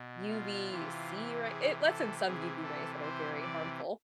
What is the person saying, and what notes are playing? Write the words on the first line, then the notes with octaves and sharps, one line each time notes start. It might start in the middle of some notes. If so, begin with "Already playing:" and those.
UVC ray it lets in some UV rays that are very harmful,
Already playing: B2
F4
C3 E3
G#4
A4
C3 E3 G#4
A4
C5
D5